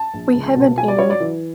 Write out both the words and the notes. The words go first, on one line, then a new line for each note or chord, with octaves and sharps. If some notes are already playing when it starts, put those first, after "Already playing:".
We haven’t any.
Already playing: A5
A#1
C#2
B2
F#3 G#5
D5
F#3 C#5
D5
E3